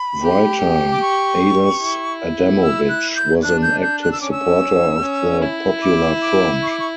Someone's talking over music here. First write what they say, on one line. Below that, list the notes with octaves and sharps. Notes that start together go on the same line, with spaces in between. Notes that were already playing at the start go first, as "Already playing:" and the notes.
Writer Ales Adamovich was an active supporter of the Popular Front.
Already playing: B5
G4
D6
C#6
E4
E6
F#6
G6
D4 F#6
G6
G6
F#6
E6
C#4 D6
E6
C#4
E4
D6
D6
C#6
D6
C#6